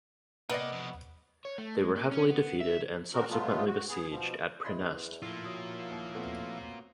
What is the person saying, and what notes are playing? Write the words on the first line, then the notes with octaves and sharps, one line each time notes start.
They were heavily defeated and subsequently besieged at Praeneste.
C3 A#3 B3 D5 D#5
F2 B2
C#5
A3
G#3
A#3
C#4
B3
E5
D3 D#3 G#3 C4 F#4 A#4
F#3 G#3 A3 B3 F4
F#4
B3 G#4
B2 F3
E2 D#5 B5 C6
A2 F3 A#3 E4 F4
F#3 F#4 D#6
D#2
A3 B3 C4